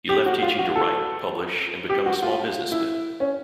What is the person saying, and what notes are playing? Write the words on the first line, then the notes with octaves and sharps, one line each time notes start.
He left teaching to write, publish and become a small businessman.
G4
F#4
F4
F#4
A4
G4
F#4
F4
E4
C#4